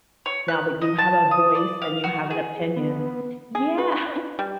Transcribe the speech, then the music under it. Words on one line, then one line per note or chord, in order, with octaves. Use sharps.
now that you have a voice, and you have an opinion Yeah,
C#5
F#6
D#5
A5
D#6
D5
F5
F#4
G#4
B3
G#4
B4
G3